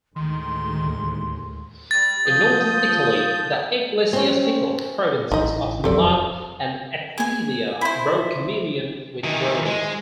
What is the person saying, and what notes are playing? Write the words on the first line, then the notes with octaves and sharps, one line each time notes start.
In Northern Italy the ecclesiastical provinces of Milan and Aquileia broke communion with Rome.
D2 A2 D#3 G#3 C6
D#2
G3 A6
F3 D#6 G6
C4 C#4
A1 E3 D#4 D#5
E1 F2 F#3 C4 A4 D5
G#4 G#5
E4 C5
D#3 E3
G#3